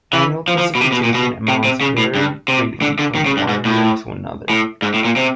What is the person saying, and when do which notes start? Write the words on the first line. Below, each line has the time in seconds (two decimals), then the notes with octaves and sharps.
Annual precipitation amounts vary greatly from one year to another.
0.13 E3
0.48 F3
0.58 F3
0.75 B2
0.81 C3
0.92 B2
1.04 A#2
1.15 B2
1.48 C3
1.64 C3
1.81 C#3
1.98 A2
2.15 G2
2.48 C3
2.82 D3
2.99 D3
3.15 D#3
3.26 C#3
3.37 G2
3.49 G#2
3.65 A2
4.50 A2
4.82 G#2
4.94 A2
5.05 A#2
5.16 C3